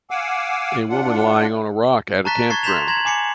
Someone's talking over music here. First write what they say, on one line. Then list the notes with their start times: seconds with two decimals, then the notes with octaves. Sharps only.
A woman lying on a rock at a campground.
0.10 F5 F#5 G#5 D6 E6
0.89 D4 F4 F#5
2.25 A5 A#5 C#6 F#6 A6 B6
2.50 C#6 G#6 A6 C7
2.63 C6 G6 A6 B6 E7 F7
2.87 A#5 C6 G#6 A#6 F#7
3.05 G#5 D6 C7 C#7